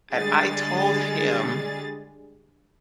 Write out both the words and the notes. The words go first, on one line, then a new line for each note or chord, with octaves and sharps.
And I told him
D3 G3 G#3 G#4 A6